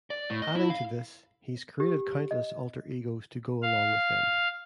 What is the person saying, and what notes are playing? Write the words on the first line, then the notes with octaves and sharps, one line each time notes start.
Adding to this, he's created countless alter egos to go along with them.
D5
A2
D#5
E4
F5
G4
D#5
F5